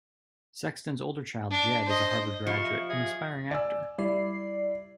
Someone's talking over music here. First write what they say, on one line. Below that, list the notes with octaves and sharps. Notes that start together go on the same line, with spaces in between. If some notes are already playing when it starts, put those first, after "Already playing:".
Sexton's older child, Jed, is a Harvard graduate and aspiring actor.
D4
C5 D#5
F3 G4 D#5 B5 C#6
E5
G4 G#4 E5
D5 G#5 E6
G3 E4 D5 C7